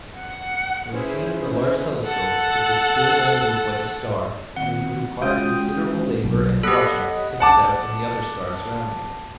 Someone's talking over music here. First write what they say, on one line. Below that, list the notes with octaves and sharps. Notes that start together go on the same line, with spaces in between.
When seen in a large telescope it would still only look like a star, and it would require considerable labour and watching to sift it out from the other stars surrounding it.
F#5
C#4 E4 G#4 B4 C5
A4 F#5
D#3 C4 F#5
G#3 C#4 F4 F#4 G5 D#6
B1 G3
G4 A4 C#5 D#5 F#5 B5
F#5 A5 D6